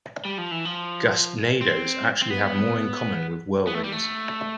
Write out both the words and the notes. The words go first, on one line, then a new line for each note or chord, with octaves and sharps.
Gustnadoes actually have more in common with whirlwinds.
G3
F3
E3
F3
C4
C4
B3
B3
A3
G3
A3